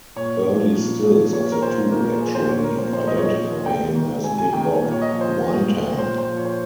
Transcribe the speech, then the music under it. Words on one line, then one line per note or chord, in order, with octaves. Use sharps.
Early stills of the two actually identify him as Big Bob Windham.
A#2 C#5
F3
A#2
F3
A#2 C#5
A#4
F3 C5
A#2 A#4
A#4
F3 G#4
C5
A#2 C#5
A#4
F3 C5
C5
A#2 D#5
C#5
D#5
F3
C3 G5
D#3
C3 G#5
G#5
D#3 G5
A#2
C#5
D#5
F3
C5
A#2
F3
A#2 C5
C5
F3
C#5
C5